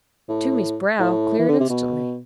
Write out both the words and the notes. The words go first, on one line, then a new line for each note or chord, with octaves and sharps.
Toomey's brow cleared instantly.
A2
A2
E3
D3
C3
B2